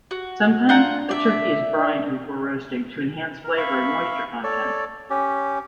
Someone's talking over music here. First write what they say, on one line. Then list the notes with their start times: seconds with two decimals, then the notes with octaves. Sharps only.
Sometimes, a turkey is brined before roasting to enhance flavor and moisture content.
0.11 F#4
0.69 D4 F4 F#5 A#5
1.09 D5 E5
1.77 D4
3.44 A#4
3.57 E5 F5 B5 C#6
4.43 A4 C#5 D5
5.10 C#4 G4